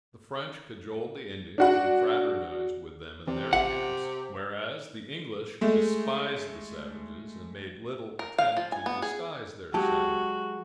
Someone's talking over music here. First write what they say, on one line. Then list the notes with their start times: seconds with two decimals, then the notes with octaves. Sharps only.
The French cajoled the Indians, and fraternized with them in their camps; whereas, the English despised the savages, and made little attempt to disguise their sentiments.
1.58 D4 F#4 F#5
3.27 C3 E3 C4 D5
3.53 A1 F4 E5 F#5
5.61 G#3 A3
8.19 A#4
8.38 F5
8.57 F3
8.72 G#5
8.86 B3
9.02 G#4
9.74 F#3 G#3 F#4 G4 A5